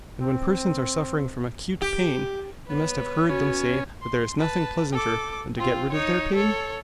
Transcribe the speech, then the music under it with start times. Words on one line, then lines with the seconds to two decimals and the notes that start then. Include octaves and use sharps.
And when persons are suffering from acute pain, you must have heard them say that there is nothing pleasanter than to get rid of their pain?
0.21 C4
1.82 G4
2.69 B3 B4 C#5
3.30 C#4 F#4
4.02 C6
4.39 B4 A5
4.92 A4 D6
5.57 C4 F4
5.92 D#4 C#5
6.35 A4 C#5